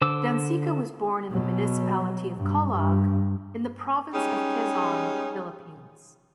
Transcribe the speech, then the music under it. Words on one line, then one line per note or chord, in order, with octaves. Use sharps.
Danseco was born in the municipality of Calauag in the province of Quezon, Philippines.
D3 C5 D6 E6
B2 F#3
G2
G2
G3 G#3 C#4 D#4